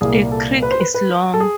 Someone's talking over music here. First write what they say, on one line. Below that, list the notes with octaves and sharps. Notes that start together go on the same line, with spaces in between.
The creek is long.
C2 A#2 G3 A#3 G#4
A4
B4
C5
B4
B4
A4
G#4